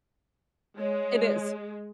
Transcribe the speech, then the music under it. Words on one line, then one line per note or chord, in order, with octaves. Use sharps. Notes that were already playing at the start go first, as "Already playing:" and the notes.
It is.
G#3 C#5